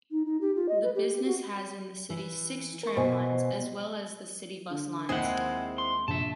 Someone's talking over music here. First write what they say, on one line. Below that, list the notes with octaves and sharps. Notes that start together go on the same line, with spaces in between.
The business has in the city six tram lines as well as the city bus lines.
D#4
D#4
G4
F4
D#5
B4
G4
G4
F#4
E3
A#4 C#6
B2 C5 D#5 G#5
D3
D#2 G#3 C4 E4 G#4 F#5
C6
A#1 E5 A5